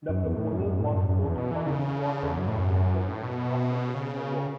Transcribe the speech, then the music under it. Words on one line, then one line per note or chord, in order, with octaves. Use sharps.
The proposal was postponed because of the onset of the Second World War.
F#2
E2
A2
F#2
F#2
A2
F#2
F#2
E2
B2
E3
C#3
E2
F#2
A2
F#2
A2
B2
C#3